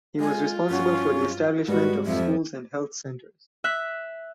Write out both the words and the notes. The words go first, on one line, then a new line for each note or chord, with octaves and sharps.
He was responsible for the establishment of schools and health centres.
G#3 F4 G#5
G2 F#3 C#4 F#4
G#2 G3 G#3 F#4 B4
F2 F3 E5
E5 F#6 B6